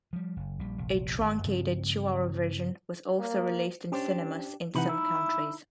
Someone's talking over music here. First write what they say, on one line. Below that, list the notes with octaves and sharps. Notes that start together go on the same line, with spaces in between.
A truncated two-hour version was also released in cinemas in some countries.
F3 G3
F#1
A#1 G3
F1 A#1
G1 G#2 D#3
G2 C#3 F3 C4
A#3
C#4 D4 G4 C5
C3 E3 D#4 F#5 B5
E4 E5